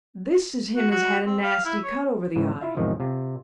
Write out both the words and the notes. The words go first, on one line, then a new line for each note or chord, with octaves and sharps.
'This is him as had a nasty cut over the eye.
F#4
F#4
C4
F5
E4
C#5
G#2 C#3 E3
E4 F4 E5 F5
E2 G#2 C3 D#3 F3
C3 F4